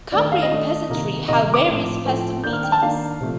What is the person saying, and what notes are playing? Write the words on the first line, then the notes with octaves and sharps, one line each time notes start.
Cumbrian peasantry have various festive meetings.
D#3 A3 D4 D5
F5
D#5
D#3 A3 D4
C3 D#3 A#3
C3 D#3 A#3 D#5
D6
A2 F3 A3 C4
A2 F3 A3 C4
D#3 A#3 D4 G6
F6
G5
A5
D#3 A#3 D4 F5
C3 F3 A3